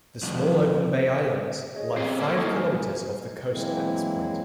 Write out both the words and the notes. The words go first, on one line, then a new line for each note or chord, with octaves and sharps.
The small Open Bay Islands lie five kilometres off the coast at this point.
C2 F2
G#4 C#5 D#5
C4 C#4 G4 C7
A#3 B3 A4 C#6 E6 F6
A#3 D#4 E4 A4 A#4
G#2 G#5
E3 F#3 G#3 A#3 C4 E4